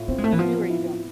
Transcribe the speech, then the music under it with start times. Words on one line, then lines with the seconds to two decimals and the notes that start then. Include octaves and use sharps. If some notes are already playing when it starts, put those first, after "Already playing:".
You do or you don't?
Already playing: A2 F4
0.08 B3 C4
0.18 G#3
0.24 A3
0.32 E3
0.39 F3 B3
0.70 E4